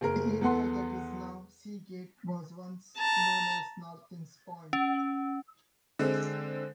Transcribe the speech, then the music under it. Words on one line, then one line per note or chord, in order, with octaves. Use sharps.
The area that is now Sea Gate was once known as Norton's Point.
F#1 G#4 A#4
E2 B3 A4 F#5 C6
A5 A#5
C#4
D3 G#3 C4